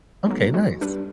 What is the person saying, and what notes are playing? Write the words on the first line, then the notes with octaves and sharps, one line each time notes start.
Okay. Nice.
B1 F#3 G#3
G#3 F#4
G2 D4 A4 B4